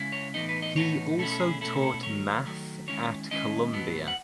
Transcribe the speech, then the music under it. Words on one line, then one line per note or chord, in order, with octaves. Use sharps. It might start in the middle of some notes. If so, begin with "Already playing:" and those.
He also taught math at Columbia.
Already playing: C#3 G#3 C#4 E4
C#5
A2 E3 B3 D#4 D#5
B4
D#5
A2 E3 B3 D#4 C#5
B2 A3 C#4 E4 A4
A4
G#4
B2 A3 C#4 E4 A4
A4
D#3 F#3 A3 C#5
D#3 F#3 A3
D#3 G#3 C#4 E4 C#5
D#3 G#3 C#4 E4 D#5
A2 F#3 B3
F#5